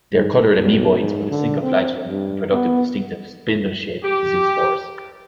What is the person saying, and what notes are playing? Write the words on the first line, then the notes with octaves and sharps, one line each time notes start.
They are colored amoeboids with a single flagellum, and produce distinctive spindle-shaped zoospores.
G#2
B1
G#2
D3
C4
G2
B3
G4